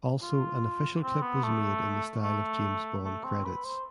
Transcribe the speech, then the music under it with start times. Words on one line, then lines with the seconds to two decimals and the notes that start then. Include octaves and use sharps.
Also an official clip was made in the style of James Bond credits.
0.22 F4
1.03 C4
1.22 B3
1.43 A3
2.23 A3
3.05 A3
3.24 C4
3.45 B4
3.64 C5